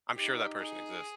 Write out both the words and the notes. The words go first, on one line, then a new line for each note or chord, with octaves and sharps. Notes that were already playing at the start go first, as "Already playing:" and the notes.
I'm sure that person exists,
D#4 G4
G#4